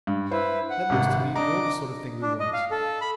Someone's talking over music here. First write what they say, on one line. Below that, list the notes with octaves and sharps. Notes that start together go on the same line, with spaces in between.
That looks to me more the sort of thing we want.
G2
E4 B4 C5
F#5
G#1 C3
D4 D#5 A#5 D6
D4
D#5
F5
A4
B5